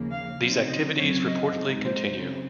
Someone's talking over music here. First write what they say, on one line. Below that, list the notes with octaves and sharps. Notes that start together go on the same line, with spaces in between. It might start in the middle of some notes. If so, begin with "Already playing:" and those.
These activities reportedly continue.
Already playing: D#2 C#3 F3 A#3
F5
C#3 F#3 C4 D#4
D#5
F#2 C#3 F#3 C4 C#5
D#5
G#2 F#3 C4 D#4
C5
C#3 F#3 C4